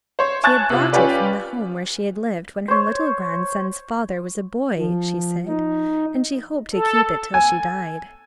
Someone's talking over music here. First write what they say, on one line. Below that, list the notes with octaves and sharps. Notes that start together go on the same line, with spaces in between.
She had brought it from the home where she had lived when her little grandson's father was a boy, she said, and she hoped to keep it till she died.
C5 C#5
G#5 A5 C#6 F#6 G#6 A6
C3 F4
C#4 F4 G4 B4 D5
C5 C#5
F3
D#4
A4
G#5